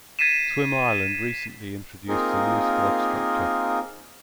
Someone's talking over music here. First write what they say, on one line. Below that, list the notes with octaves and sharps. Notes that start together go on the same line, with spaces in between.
Swim Ireland recently introduced a new squad structure.
G#6 A6 B6 C7 D#7 E7
A#3 C4 D#4 F4 G#4 A#4